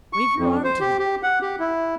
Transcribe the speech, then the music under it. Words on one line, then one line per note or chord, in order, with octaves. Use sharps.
"Wave your arm to them."
C#6
F2
C5
G4
G4
F#5
G4
E4